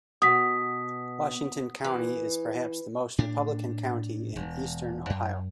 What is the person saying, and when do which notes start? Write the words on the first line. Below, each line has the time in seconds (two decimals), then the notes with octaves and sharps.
Washington county is perhaps the most Republican county in eastern Ohio.
0.22 B2 D#6 B6
1.84 E3
3.18 A2 D4
4.36 E1
5.10 F#2